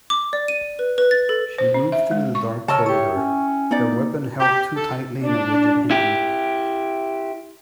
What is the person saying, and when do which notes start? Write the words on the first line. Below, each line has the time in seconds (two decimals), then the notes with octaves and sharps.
She moved through the dark corridor, her weapon held too tightly in a rigid hand.
0.10 D6
0.33 D5
0.48 D#7
0.79 B4
0.98 B4
1.11 A6
1.29 A4
1.58 C5
1.74 C#4
1.92 E5
2.11 G#3
2.35 C#6
2.68 C#3 A#4 C#5 D#5 A5 C#6 E6
2.86 E4 G4 C#6
3.15 C#4
3.71 B3 D#4 D5
3.93 A#3
4.40 G4
4.75 A4
5.25 D4
5.91 E4 G4